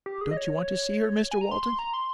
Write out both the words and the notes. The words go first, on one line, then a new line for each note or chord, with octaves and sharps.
"Don't you want to see her, Mr Walton?"
G4
G#4
D#5
C#5
G#5
A#5
C6
C6
A#5
C6